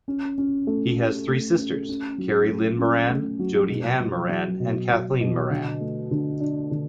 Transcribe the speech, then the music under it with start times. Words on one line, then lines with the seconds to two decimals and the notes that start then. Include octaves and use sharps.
He has three sisters, Kari Lynn Moran, Jodi Anne Moran and Kathleen Moran.
0.08 C#4
0.38 C#4
0.67 A3
0.98 G4
1.28 A3
1.58 C#4
1.89 C#4
2.18 F#3
2.49 A3
2.79 C#4
3.09 A3
3.39 F#3
3.70 B2
4.00 F#3
4.29 F#3
4.60 B2
4.90 F#3
5.21 B2
5.50 D3
5.81 A3
6.11 D3
6.40 D4
6.71 D3